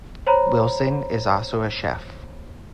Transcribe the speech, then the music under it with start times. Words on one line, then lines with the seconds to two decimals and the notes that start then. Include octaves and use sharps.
Wilson is also a chef.
0.27 C5 C#5 A#5 B5